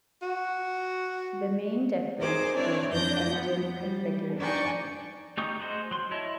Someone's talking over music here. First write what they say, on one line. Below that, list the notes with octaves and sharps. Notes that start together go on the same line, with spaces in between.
The main difference was in engine configuration.
F#4
D#4 G#4 A#4 C5 D6
C4 D4 E4 C#5 D5
F2 D4 G6 A#6
F3 B3
G3
D4 D#4 D5 G5 G#5 C#6
A3 D#4 G4 C#6 D#6
F#4 G#4 C5 D#5
F#3 C6
E4 C#5 D#5 A5